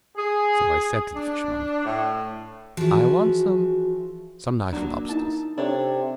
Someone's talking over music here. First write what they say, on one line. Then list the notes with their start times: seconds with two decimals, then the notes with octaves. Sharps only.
So I said to the fishmonger, "I want some--some nice lobsters."
0.16 G#4
1.14 D4
1.85 A2
2.77 E3 F3 F#4 G#4 C#6
4.73 F#3 A#3 D4
5.09 D#4 E4 A5
5.58 C3 D4 A4 C#5